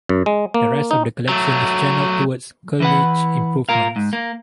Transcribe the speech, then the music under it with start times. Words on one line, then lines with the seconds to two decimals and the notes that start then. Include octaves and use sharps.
The rest of the collection is channelled towards college improvements.
0.09 F#2
0.26 G#3
0.54 A#3
0.91 D#4
1.29 F#3 A3
2.80 E3 B4 F#5
3.69 A#2 A#4 F5
3.96 G#2
4.13 A#3